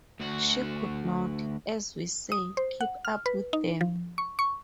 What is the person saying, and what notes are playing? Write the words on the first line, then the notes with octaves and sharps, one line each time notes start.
She could not, as we say, keep up with them.
D2 F#4
D#6
C5
F#5
F6
B4
D#4
F3
C#6
C#6